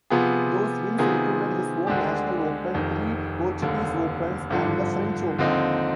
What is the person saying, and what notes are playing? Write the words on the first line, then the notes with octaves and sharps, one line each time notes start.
Those wins included his own national open, three Portuguese Opens and the French Open.
C3 F3 B3 F4 G#4
C3 D#3 B3 F4 G#4
D2 D3 G#3 D4 G4
F1 F2 D#3
F1 D#2 D3
G#1 G2 D3 F3
D#2 D3 F3 C4 D#4